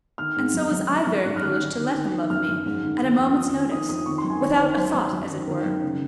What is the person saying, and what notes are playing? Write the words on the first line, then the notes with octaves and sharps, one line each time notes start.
And so was I very foolish to let him love me, at a moment's notice,--without a thought as it were.
D#3 F6
G#2
F#2
F#2
F#2
F#2
G#2 F#6
F6
D#3 F#6
D#3
D#3
D#3
D#3
F#2 F6
F#2
G#2
D#3
D#3
F2
F2 D#6
D#3
D#3 D#6
F2 D#6
D#3 C#6
C6
F#2
G#5
D#3 C#5
D#3 C5
F#2 C5
F#2
F#2
D#3
D#3 A#4
F#2
C#3